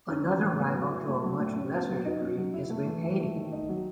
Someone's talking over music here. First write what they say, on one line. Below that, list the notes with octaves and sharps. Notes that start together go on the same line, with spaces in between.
Another rival to a much lesser degree is with Haiti.
C#4
E3
A2
B3
F#3
E4
A3
F#3
A2
C#4
B3
F#3
D#4
C#4
F#3
E4
A3
E3
E4
A3
D#3
D#4
F#3